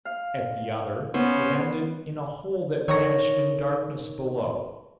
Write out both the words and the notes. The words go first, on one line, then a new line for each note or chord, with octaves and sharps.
At the other it ended in a hole that vanished in darkness below.
F5
B3 C#4 C5
D#3 C#5 C#6 A#6